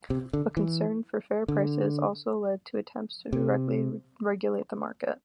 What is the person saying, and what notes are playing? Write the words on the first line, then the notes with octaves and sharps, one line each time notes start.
But concern for fair prices also led to attempts to directly regulate the market.
C3
D3
E3
D3
C3